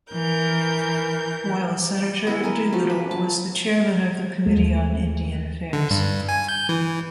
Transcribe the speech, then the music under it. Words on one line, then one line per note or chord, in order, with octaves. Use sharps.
While senator, Doolittle was the Chairman of the Committee on Indian Affairs.
E3 A#4 G6
B3 E4
A#4 G#5
F3 F#4
B4
A5
D#2 G#3 A3
D3
G2
G#5
G6
E3